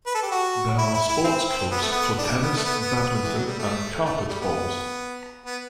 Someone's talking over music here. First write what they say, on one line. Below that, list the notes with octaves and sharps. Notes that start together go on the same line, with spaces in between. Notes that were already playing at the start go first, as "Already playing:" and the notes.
There are sports clubs for tennis, badminton and carpet bowls.
B4
A4
G4
F#4
E4
E4
E4
C4
C4
B3
A3
B3
D4
B3
A3
B3
B3
B3
E3
F#3
G3
A3
A3
A3
G3
B3
B3